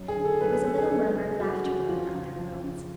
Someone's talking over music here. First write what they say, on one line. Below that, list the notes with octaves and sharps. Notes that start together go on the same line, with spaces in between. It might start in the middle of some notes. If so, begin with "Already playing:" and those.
There was a little murmur of laughter among the other girls.
Already playing: F#2
G#4
D3
A4
F#2 B4
B4
D3 A4
G#4
F#2 A4
C#3 G#4
F#2 F#4
C#3
F2 F4
C#3
F2
C#3